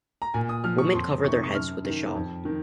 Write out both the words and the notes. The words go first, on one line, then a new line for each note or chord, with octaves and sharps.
Women cover their heads with a shawl.
A#5
A#2 G#5
D#6
F3 F6
C#6
F2 C6
C3 D#3 C#6
D#6
C#6
F#2 F6
D#3
F2
D#3